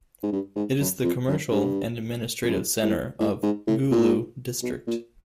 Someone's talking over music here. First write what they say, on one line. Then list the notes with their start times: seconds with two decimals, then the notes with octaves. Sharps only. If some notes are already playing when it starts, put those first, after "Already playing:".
It is the commercial and administrative centre of Gulu District.
0.23 G#2
0.32 G2
0.56 G#2
0.80 F#2
1.03 F2
1.28 F#2
1.51 G2
2.43 F2
2.47 F#2
2.83 A2
3.20 A2
3.43 G#2
3.67 A2
3.91 A#2
4.63 B2
4.87 A#2